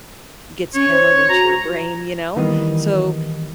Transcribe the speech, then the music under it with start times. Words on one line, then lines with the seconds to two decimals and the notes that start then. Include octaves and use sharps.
gets hammered into your brain, you know? So
0.74 C#4 C#5
0.90 C5
1.29 F#4 A#5
2.36 D#3 E3 G3 A#3 B3 D#4